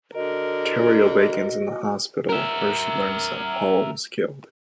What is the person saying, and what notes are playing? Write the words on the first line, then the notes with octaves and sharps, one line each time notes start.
Terri awakens in the hospital, where she learns that Paul was killed.
D3 F#4 A#4 D#5
A#4 E5